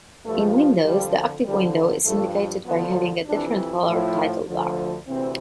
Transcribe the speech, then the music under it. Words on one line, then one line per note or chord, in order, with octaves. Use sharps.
In Windows, the active window is indicated by having a different coloured title bar.
G2 F3 A3
F2 D3 F3 G3
F2 D3 F3 G3
G2 F3 A3
D2 D3 F3 B3
F2 C3 E3 D4
A2 F3 E4
D2 D3 F3
D2 C3 E3 C4